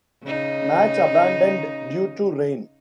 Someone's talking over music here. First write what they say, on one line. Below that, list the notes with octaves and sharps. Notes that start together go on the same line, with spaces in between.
Match abandoned due to rain.
C#3 D#4